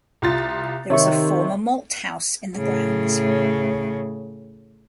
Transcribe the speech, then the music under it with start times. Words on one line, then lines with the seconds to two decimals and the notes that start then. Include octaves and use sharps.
There is a former malt house in the grounds.
0.22 C2 F4 A6
0.90 C3 D#3 C#5 E5 C#6
2.57 A2 C#3